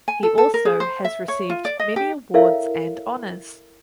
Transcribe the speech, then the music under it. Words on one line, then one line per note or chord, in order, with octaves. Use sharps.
He also has received many awards and honors.
G#5
A4
A4
A#4
G#4
C5
E5
C#5
F4
D5
D#5
G4
E4 A4 A#4 C#5 E5 F5